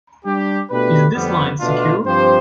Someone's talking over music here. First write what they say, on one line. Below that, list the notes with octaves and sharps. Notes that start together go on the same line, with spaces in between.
Is this line secure?
G3 D4 G4
B2 A3 D4 G4 B4
F2 D3 G3 B3
B2 A3 D4 F4
G2 F3 C4 G4 C5